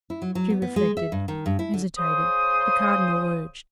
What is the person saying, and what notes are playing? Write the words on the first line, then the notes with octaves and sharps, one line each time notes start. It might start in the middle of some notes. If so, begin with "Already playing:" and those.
She reflected--hesitated. The cardinal urged.
E4
F#3
F#3
B3
B3
G#3
E5
G2
D#3
G2
E4
D3
C#3 C5 D#6